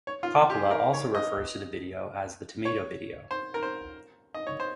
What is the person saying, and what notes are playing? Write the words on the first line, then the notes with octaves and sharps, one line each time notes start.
Coppola also refers to the video as the "tomato video".
C#5
F4
G4
G#4
A#4
C#5
D#5
C#5
C5
A#4
C5
D#5
C#5
C5